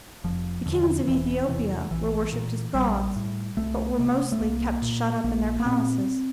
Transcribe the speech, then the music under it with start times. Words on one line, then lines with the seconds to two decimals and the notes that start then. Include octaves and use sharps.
The kings of Ethiopia were worshipped as gods, but were mostly kept shut up in their palaces.
0.24 F1 F3
0.66 E2 D3
1.07 E1 E3
1.48 E2 C3 E3
1.91 A#1 E3
2.33 A#2
2.74 A#1 G3
3.16 A2
3.57 C2 A3
3.99 C3
4.32 A3
4.41 C2 A#3
4.82 A#2
5.24 A#1 A#3
5.60 A#3
5.66 A#2 C4